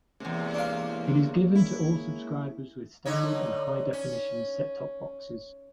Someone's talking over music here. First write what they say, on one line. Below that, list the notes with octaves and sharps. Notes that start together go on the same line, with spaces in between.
It is given to all subscribers with standard and high definition set-top boxes.
E2 C3 G#3 A#3 C#4
D4 F5
E4
D3 D#4 C#5
C#4